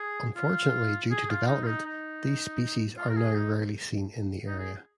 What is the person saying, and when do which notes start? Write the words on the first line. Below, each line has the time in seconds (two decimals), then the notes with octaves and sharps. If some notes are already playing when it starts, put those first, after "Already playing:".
Unfortunately due to development these species are now rarely seen in the area.
Already playing: G#4
0.36 F4
1.11 G#4
1.24 G#4
1.30 F4
1.48 D#4
1.63 F4
1.66 D#4
1.85 D#4
2.98 F4
3.09 A#4
3.17 G#4
3.35 D#4
4.47 D#4
4.59 G#4